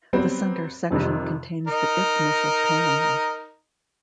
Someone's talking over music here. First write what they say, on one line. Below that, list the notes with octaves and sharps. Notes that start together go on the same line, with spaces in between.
The center section contains the Isthmus of Panama.
F#3 G3 B3 C4
F2 C3 D#3 G3
D#4 A#4